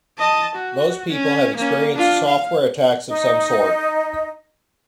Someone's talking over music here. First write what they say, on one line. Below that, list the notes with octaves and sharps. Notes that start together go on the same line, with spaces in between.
Most people have experienced software attacks of some sort.
D#5 A5
F#4
C#4
A#3 C#4
D4 F4
F5
D#4 D#5